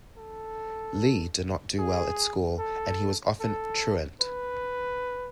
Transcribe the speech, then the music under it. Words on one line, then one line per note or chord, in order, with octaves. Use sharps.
Lee did not do well at school, and he was often truant.
A4
G#4
A4
A4
B4